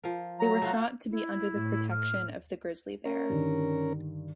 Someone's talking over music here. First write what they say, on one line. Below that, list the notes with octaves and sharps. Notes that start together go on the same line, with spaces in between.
They were thought to be under the protection of the grizzly bear.
F3 A#4
F#3 A#5
A3 F4 F#4
E4
A2
F6
C#4 A#4
G2 D3 D#3